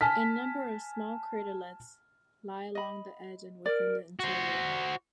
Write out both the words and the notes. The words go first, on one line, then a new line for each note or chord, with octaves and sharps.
A number of small craterlets lie along the edge and within the interior.
G#5 A5 F6 B6
D#5 B5
A#4 D5
F#4 C5